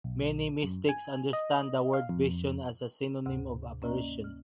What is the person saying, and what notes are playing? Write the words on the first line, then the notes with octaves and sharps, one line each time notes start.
Many mystics understand the word vision as a synonym of apparition.
B1
F#2
G#5
D#5
F5
F2
D2 G#2 C3
A#3 C#4 D5 D#5 A#5
F6